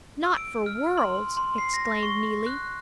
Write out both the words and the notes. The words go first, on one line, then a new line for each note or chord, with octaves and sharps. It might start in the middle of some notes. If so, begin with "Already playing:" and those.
"Not for worlds!" exclaimed Neelie.
E6
D7
F6
C6
C6
C7
A#6
C#6
F#6